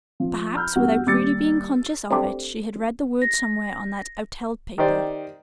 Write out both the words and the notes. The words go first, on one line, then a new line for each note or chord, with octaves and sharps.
Perhaps, without really being conscious of it, she had read the word somewhere on that outheld paper.
F3
A#5 B5 E6 F6 G6
E2 G2 F#4
D#2 G3 D6 E6 A6 C#7
C3 A3 D4 G4
A#6
D#3 G4 C5 D5